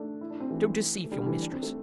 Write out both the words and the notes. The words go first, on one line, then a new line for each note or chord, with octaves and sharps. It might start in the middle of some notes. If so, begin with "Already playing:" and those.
Don't deceive your mistress!
Already playing: A3 D4
E4
D4
C4
E3 A3
A3
D3 G3
E3 A3
D4
C4
A3